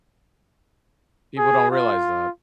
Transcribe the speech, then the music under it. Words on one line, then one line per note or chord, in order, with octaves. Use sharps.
People don't realize that.
G#4
F4